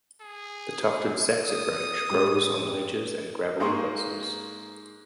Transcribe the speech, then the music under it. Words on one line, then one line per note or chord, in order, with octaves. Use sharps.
The tufted saxifrage grows on ledges and gravelly places.
G#4
D#6
A2 G#3 G4
G#2 G#3 A#3 A#4 C6 C#6